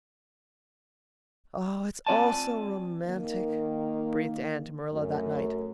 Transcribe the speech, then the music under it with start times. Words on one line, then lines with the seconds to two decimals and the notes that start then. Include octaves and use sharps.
"Oh, it's all so romantic," breathed Anne to Marilla that night.
2.07 C4 F4 D5 G#5 A5
3.06 D#3 A#3
4.91 F#2 A3